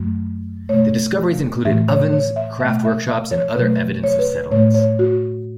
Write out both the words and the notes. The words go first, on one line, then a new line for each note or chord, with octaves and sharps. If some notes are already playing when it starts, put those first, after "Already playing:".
The discoveries included ovens, craft workshops, and other evidence of settlements.
Already playing: F#2 F#3 A3
B2 A3 C#5
A2 E3 A3 E5
C#5
C#5
E5
B2 A3 E5
E5
E5
C#5
B2 F#3 A3 B4
C#5
B4
A2 A3 C#5
C#5
F#4